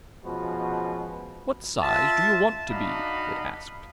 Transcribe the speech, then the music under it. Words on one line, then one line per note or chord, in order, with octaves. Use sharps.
'What size do you want to be?' it asked.
B2 F3 G#3 C#4 F#4 B4
F4 E5 A5
D4 D#4 F#4 D#5 F5 B5